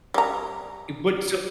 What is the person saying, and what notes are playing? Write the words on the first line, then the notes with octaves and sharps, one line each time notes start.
Eh, what so
G3 A#5